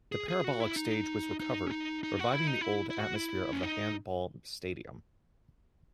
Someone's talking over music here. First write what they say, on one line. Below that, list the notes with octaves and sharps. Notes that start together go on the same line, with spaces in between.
The parabolic stage was recovered, reviving the old atmosphere of the Handball Stadium.
G#4
G#4
F#4
E4
D#4
D#4
C#4
D#4
D#4
F#4
E4
D#4
E4
E4
F#4
E4
C#4
D#4